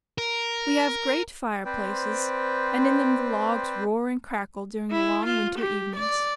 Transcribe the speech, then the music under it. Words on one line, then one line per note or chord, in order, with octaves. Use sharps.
We have great fireplaces, and in them the logs roar and crackle during the long winter evenings.
A#4
C4 B4 C5 D5 G5
E4
F4
G4
D5